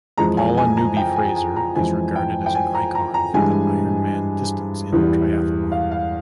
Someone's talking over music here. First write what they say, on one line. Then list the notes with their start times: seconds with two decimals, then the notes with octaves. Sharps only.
Paula Newby-Fraser is regarded as an icon for the Ironman distance in triathlon.
0.17 F2 E3 G#3 A#5
0.37 G#5
0.57 G#5
0.77 A#5
0.97 G5
1.16 G#5
1.36 G#5
1.56 A#5
1.76 F2 E3 G#3 G#5
2.16 G5
2.46 G5
2.55 G#5
2.75 A#5
2.95 A#5
3.14 A#5
3.34 G2 E3 G#3 G#5
4.93 E2 E3 G3
5.72 F5
5.91 F5